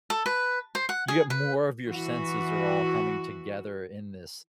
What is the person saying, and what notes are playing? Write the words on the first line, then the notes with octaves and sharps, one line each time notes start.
you get more of your senses are all coming together in this
A4
B4
C5
F#5
G#4
B4
E3 F#4